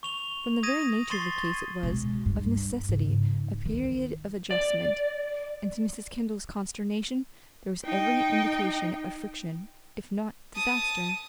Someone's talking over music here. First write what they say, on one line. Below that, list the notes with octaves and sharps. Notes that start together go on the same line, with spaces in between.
From the very nature of the case it was, of necessity, a period of adjustment; and to Mrs. Kendall's consternation there was every indication of friction, if not disaster.
C#6 F7 G7
D#6 G#6 A#6 D#7
C6 C#6 A6 C7 G7
B2 G#3
G2
G#2 C#3
D#3
D5
D#4 G5
A5 D#6